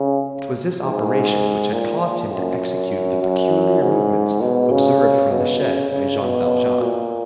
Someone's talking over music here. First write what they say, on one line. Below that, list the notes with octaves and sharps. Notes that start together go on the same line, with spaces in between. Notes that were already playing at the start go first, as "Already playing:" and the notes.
It was this operation which had caused him to execute the peculiar movements observed from the shed by Jean Valjean.
Already playing: C#3
G#2
A#2
F#2
F#2
G#2
B2
C#3
B2
C#3
C#3
B2
A#2